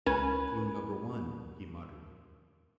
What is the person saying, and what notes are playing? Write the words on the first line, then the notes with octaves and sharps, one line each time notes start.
"Clue number one!" he muttered.
C#2 C#4 A#4 B4 G#5